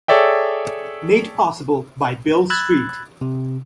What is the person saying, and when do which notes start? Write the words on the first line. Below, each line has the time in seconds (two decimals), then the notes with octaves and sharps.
Made possible by Bill Street.
0.08 G#4 A4 C#5 D5 E5 G5
2.50 B5 E6 F#6 G#6 A6
3.21 C3